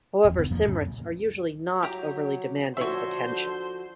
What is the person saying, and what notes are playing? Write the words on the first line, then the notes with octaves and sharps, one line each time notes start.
However, Cymrics are usually not overly demanding of attention.
D#1 F2
D#1 D3 B3
F2 F3 A#3
C#2 F#2 A#2 C#3
F#3 G4 A#5
D3 F3 F#4 C5 C#5 E5